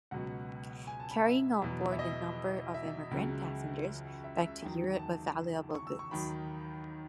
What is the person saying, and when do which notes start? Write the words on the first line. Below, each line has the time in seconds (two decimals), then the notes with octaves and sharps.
Carrying on board a number of emigrant passengers back to Europe with valuable goods.
0.11 C#2 B2 F#3 F#5
0.87 G#5
1.00 A5
1.11 B5
1.24 E5
1.62 E2 B2 F#3
1.92 E5
1.99 D#5
2.74 E5
3.11 C#2 C#3 F#3
4.24 E5
4.36 E5
4.62 E2 D#3 F#3
4.99 A5
5.74 C#6
5.87 E6
5.99 C#6
6.11 D#2 D#3 F#3 B5